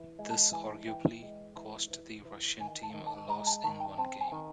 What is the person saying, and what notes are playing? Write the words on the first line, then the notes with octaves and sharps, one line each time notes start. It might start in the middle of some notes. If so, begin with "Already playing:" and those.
This arguably cost the Russian team a loss in one game.
Already playing: E3
G#3
A5
E3 G#5
E3 G5
G#3
E3
E3
E3
D#3 G#5
A5
D#3
A5
G#3 A#5
A5
D#3 A5
G5
C4 A5
G#5
D#3